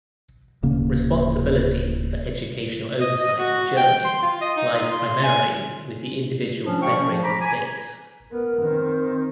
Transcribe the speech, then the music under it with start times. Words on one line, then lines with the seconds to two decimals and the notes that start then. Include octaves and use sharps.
Responsibility for educational oversight in Germany lies primarily with the individual federated states.
0.63 D1 C#3 A#3
3.01 D#5
3.20 D#5
3.38 F#4
3.77 G5
4.05 C6
4.22 F4
4.41 D#5
4.57 D#4
4.74 F4
4.91 C6
5.23 G#5
6.65 F3 F#3 C#4 D4 F4
6.81 B2 F5 G5 C#6
6.95 C#4
7.08 F3
7.23 A#5 B5 D6
7.40 G#5
8.31 B3 A#4
8.61 D#3 C4